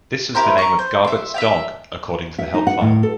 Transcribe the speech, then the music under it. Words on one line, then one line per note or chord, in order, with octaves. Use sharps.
This was the name of Garbutt's dog, according to the help file.
E4 G4 A#4 C5
A#4 C#6
C5
E5 C6
E5 F5 G5
E5
D#4
F#5
A2
A4